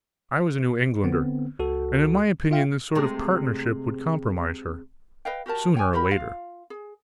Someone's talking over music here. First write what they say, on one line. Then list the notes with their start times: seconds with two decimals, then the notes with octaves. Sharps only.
I was a New Englander, and in my opinion this sort of partnership would compromise her, sooner or later.
1.04 D3 B3 C4
1.59 C#2 F#4 A4
2.51 F4 E5 F5 G5
2.95 C3 G#3 A3
5.25 B4 D#5 F5 G5
5.46 F#4 G4 A#4 A5
5.75 C#5 G5 G#5
5.93 F#4 G4 A#4 B5
6.11 F4 F5
6.70 G#4